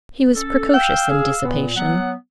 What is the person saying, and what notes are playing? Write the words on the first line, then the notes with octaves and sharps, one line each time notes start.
He was precocious in dissipation.
C#4 A4
F5 G5 E6
G#4
A#2 B3
F#3 B3 F#5